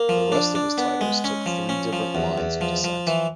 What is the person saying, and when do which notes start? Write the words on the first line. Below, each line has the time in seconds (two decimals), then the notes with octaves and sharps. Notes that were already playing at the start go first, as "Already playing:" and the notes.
The rest of his titles took three different lines of descent.
Already playing: A#3
0.09 F3
0.32 D4
0.55 D4
0.78 B3
1.01 G#3
1.24 C#4
1.46 F3
1.69 C#4
1.93 F3
2.15 E2
2.38 E2
2.61 F3
2.84 F3
3.07 E3